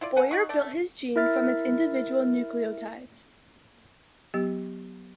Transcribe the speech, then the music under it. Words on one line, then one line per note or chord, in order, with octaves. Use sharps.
Boyer built his gene from its individual nucleotides.
E4 F4 D5
B4 F#5 G#5
D#4 F#5 C#6
A3 D5
E4 A#4 E5 F6 A6
F#3 B3 G4